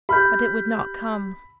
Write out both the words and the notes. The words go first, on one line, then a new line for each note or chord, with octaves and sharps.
But it would not come.
G4 B5 F6 G6